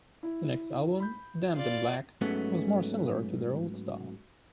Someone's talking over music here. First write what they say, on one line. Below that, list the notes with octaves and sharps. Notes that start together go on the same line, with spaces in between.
The next album, "Damned in Black" was more similar to their old style.
E4
B5 G6
F4 D5
G#2 F#3 A3 B3 C#4